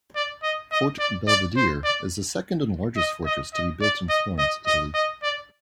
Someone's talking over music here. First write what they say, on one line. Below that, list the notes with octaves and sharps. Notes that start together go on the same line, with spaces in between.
Forte Belvedere is the second and largest fortress to be built in Florence, Italy.
D5
D#5
D#5
D5
D5
C5
D5
D#5
D#5
D#5
D5
D#5
D#5
D#5
D#5
D5